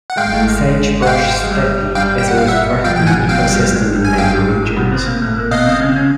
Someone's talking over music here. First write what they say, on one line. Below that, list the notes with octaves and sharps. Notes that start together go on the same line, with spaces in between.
Sagebrush steppe is a threatened ecosystem in many regions.
F#5
G#2 G#3 F5 G5
A2 A3
G#2 G#3
F#5
F5 G5
G#3
G2 G3
G2 G3 F5 G5
G5
F#5
F5
E5 F#5
F2 F3 F5 G5
E2 E3 G5
F#5 G#5
F2 F3
F#2 F#3 F5 G5
G#3
G2 G3
G#2 G#3
G2 G3
G#5
G#2 G#3 F5 G5
G2 G3
G#2 G#3
A#2 A#3
B2 B3
C3 C4
A#2 A#3
A2 A3
A#2 A#3
B2 B3 D#5 F5
C3 C4
C#3 C#4
C4
C#3 C#4